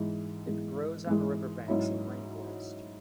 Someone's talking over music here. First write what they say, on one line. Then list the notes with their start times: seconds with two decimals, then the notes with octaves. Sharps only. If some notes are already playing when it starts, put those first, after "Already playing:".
It grows on river banks in rainforest.
Already playing: G#2 E3 G#3
0.47 G#2 E3 G#3
1.07 G#2 E3 G#3
1.68 G#2 F#3 C#4 E4